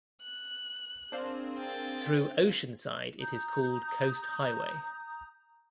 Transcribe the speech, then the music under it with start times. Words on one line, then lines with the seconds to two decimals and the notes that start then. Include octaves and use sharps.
Through Oceanside it is called Coast Highway.
0.23 F#6
1.12 C4 D4 G#4 A#4 C5 F5
1.58 G5 A6
3.20 A#5 D#6 G6